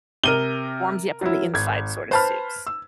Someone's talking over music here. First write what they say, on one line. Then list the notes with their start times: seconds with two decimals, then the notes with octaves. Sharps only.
warms you up from the inside sort of soups.
0.24 C3 A#4 D#7 G7
1.21 F#3 E4
1.54 G#1 G#6
2.11 B4 C5 A5 B5 F6
2.67 E6